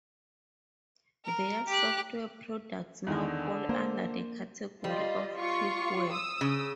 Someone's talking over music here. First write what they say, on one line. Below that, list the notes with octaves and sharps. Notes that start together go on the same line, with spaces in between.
Their software products now fall under the category of crippleware.
A#4
G4 F#6
E2 D3 D#3
A#3 C5
G3 F4 D#5
F4 C#6
D#6 E6
C#3